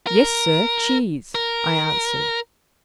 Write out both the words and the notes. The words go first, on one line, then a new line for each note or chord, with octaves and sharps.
"Yes, sir, cheese," I answered.
A#4
A#4